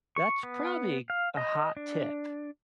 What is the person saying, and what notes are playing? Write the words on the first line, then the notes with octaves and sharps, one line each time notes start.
that's probably a hot tip.
C#6
B3
F5
D#5
D4